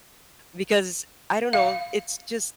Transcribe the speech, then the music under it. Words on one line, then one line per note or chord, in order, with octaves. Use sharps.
Because I don't know, it's just
F5